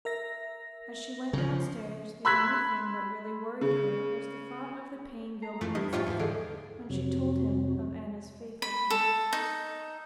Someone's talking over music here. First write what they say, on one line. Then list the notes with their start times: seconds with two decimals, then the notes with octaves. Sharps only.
As she went downstairs, the only thing that really worried her was the thought of the pain Gilbert would suffer when she told him of Anna's faithlessness.
0.05 A#4 E5 A#6
1.33 C#3 F3
2.25 B5 C6 E6 F#6 G#6 B6
3.61 C#3
5.42 A5 A#5 C7
5.61 F#2 E3 F3 A3
5.75 G2 D#5 E5
5.93 G#2 F3 F4 G4 C#5 D#5 E5 A6
6.07 E2 E3
6.19 D3 G#4 A4 D7
6.90 F2 C3 F#3
8.62 B5
8.90 A4
9.33 D#4